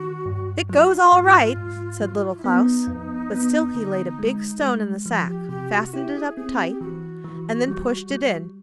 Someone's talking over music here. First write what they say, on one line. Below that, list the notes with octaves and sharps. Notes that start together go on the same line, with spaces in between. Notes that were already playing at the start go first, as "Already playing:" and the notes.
'It goes all right!' said Little Klaus; but still he laid a big stone in the sack, fastened it up tight, and then pushed it in.
Already playing: D#3 F#4
G2
F#3 F4
G#2
G#2
F#3
F4
E4
B3 D#4
F2
B3
D3
G#3
G#3
F3
G4
C3 G4
F#4
F#4
E4 G4
G#4
C4 G#4
G4
G4
E3 F#4
E3
G3
G3